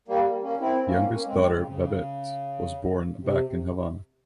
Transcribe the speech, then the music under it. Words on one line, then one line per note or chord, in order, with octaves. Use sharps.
Youngest daughter Babette was born back in Havana.
G3 A#3
A#3 C#4
C4 E4
A#3 C#4
A#3 C#4
G#3 C4
G#3 C4
C#3
C#3
C3